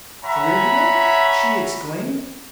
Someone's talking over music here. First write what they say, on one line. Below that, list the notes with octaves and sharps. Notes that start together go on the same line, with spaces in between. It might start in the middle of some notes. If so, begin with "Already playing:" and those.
"Trivial!" she exclaimed.
C#5 E5 F#5 G#5 A#5 B5